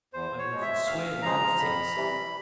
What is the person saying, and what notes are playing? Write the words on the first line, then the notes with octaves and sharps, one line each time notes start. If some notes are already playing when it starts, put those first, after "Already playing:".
I will forswear the whole sex.
E2 C5
C#5
B2 G#3
E5
D2 F5
C#3 F3 G#3 A#5
F2 B5
C3 E3 G3